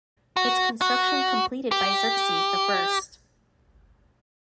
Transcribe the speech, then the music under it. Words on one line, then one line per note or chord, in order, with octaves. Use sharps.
Its construction completed by Xerxes the First.
F#4
F#4
G4